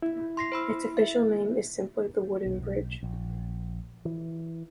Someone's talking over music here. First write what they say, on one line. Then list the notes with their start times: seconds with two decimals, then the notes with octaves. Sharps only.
Its official name is simply the Wooden Bridge.
0.02 E4
0.37 C6 A#6 C7
0.52 C5 B5 E6
0.97 E5
2.46 B1
3.03 A#1
4.05 E3